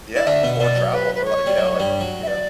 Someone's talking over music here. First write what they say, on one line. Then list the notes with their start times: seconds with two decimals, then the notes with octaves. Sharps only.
yeah, or travel, or like you know, like you know,
0.15 E4 D5
0.27 D3 D4 E5
0.43 B2 B3
0.59 B2 B3 D5
0.76 F#3
0.92 B4
1.15 B4
1.25 C#5
1.46 G3
1.58 F#3
1.80 G2 G3
2.01 F#3
2.23 E5
2.27 D5